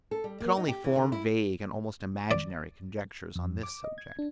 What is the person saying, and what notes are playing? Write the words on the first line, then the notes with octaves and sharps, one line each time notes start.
I could only form vague, and almost imaginary, conjectures on this subject.
A4
G3
A#3
D#4
G4
E3
D3
E4
D5
F2
D6
D#5
G#6
D4